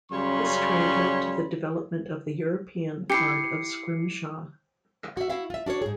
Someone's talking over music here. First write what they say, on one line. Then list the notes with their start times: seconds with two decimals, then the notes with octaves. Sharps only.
This trade led to the development of the European art of scrimshaw.
0.12 F#2 C#3 G3 C#5 B5 C6
3.10 E4 G4 C7 C#7
5.17 F#4 E5
5.30 E4 F#4 E5 F5
5.50 F4 E5
5.66 D4 F#4 A#4 C#5
5.82 G#2 G#4